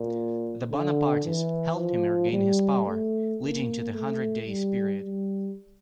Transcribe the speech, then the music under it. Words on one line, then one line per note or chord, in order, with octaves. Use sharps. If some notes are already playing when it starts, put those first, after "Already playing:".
The Bonapartists helped him regain his power, leading to the Hundred Days period.
Already playing: A#2
D3
E3
F3
G3
A3
A#3
A3
G3
G3